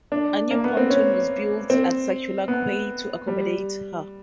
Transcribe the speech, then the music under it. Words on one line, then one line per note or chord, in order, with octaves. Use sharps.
A new pontoon was built at Circular Quay to accommodate her.
D4
A#3
B3
C4
C#4
C4
B3
G3